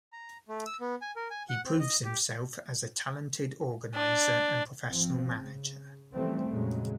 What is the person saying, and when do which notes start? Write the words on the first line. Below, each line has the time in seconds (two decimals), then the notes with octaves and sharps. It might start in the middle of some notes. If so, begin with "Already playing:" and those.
He proves himself as a talented organiser and professional manager.
0.13 A#5
0.48 A3
0.66 E6
0.81 B3
1.02 G#5
1.16 A#4
1.31 G#5
1.49 F#5
1.66 C4
1.80 D#5
2.04 G4
3.95 D4
4.89 G#1 F3 C4
5.37 C#3
6.12 C#3 E3 F3 G3 A3 C4
6.50 F2 A#2 C#3 F#3 G#3